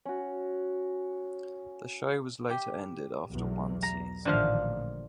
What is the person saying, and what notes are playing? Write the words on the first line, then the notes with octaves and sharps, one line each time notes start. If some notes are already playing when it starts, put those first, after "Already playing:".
The show was later ended after one season.
C#4 F#4
G4
B1 E2
A#5
A1 A#2 D3 D#3 F3 F5